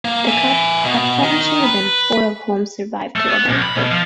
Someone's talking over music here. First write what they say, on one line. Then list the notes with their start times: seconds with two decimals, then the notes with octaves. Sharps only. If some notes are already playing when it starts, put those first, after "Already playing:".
The couple had seven children, four of whom survived to adulthood.
0.05 A#3
0.27 E5 G#5
0.84 B2
1.23 D#3
1.64 B4
3.16 A3
3.29 B3
3.48 B1
3.62 B5
3.75 B2
3.91 F3